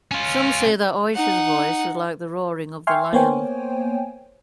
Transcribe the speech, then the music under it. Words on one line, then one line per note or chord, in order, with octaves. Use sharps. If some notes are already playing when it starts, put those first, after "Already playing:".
Some say that Oysher's voice was like the roaring of the lion.
C#4 F4
D#4 F#5
E5 G5 G#5 C6 C#6 F6
A#3 B3 C5 C#5 G5 G#5